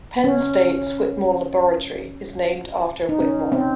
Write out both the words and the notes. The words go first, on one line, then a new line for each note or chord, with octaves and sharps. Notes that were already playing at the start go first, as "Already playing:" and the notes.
Penn State's Whitmore Laboratory is named after Whitmore.
C#4
D#4
C#4
C4